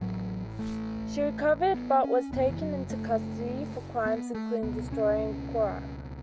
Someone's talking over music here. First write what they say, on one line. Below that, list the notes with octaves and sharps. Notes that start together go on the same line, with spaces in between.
She recovered, but was taken into custody for crimes including destroying Qurac.
A1 A2 F#3
A3
B3
C#4
F#1 F#2 C#3 B3
E3
F#3
A3
B3
A3
C#2 B2 B3
C#4